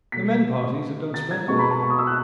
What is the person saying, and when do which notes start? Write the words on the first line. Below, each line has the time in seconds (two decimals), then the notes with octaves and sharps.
The men parties have done splendidly.
0.12 B2 A3 B6
1.14 A6
1.31 G#6
1.48 B2 G#3 B3 C#6
1.59 B5
1.71 A5
1.82 C#6
1.90 D#6
1.99 E6
2.07 F#6